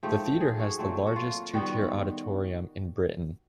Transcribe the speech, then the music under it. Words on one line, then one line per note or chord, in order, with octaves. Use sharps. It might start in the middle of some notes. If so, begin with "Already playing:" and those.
The theatre has the largest two-tier auditorium in Britain.
G#2 F3 A3 G4
G#4
F#4
A#2 F#3 A3 C4
F#4
F4
D#3 G3 B3 F#4